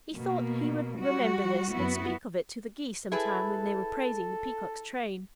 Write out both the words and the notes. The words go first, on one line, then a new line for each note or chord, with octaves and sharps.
He thought he would remember this and speak of it to the Geese some time when they were praising the Peacock's train.
B2 A#3
G3 F#4
F#2 B3 E4 F#4
E4 G#4 A4 B4